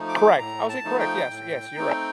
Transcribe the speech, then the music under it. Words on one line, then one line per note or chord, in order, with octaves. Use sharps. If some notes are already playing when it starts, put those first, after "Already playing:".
Correct. I would say correct. Yes. Yes. You're right.
Already playing: F3 A3 D#4
D6
A2 A#5
A5
F3 A3 D#4
G5
A2
A3 C4 D#4